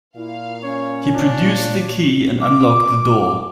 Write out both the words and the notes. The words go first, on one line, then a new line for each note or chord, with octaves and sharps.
He produced the key and unlocked the door.
A#2 E4 F5
C#4 C#5
A#2 D4 F4 C#5
D6